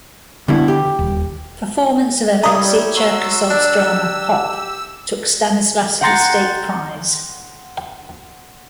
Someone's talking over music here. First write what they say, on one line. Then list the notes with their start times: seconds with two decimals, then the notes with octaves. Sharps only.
Performance of Alexei Cherkasov's drama "Hop" took Stanislavsky State Prize.
0.48 G2 B2 D3 E4
0.68 G4
0.99 D#1
2.43 G3 E4 G4 C#5 D#5 A#5 D#6
2.96 F#3 F#4 C6 E6
3.50 D4 G4
6.01 F#5 G5 A#5 C6 A6 C#7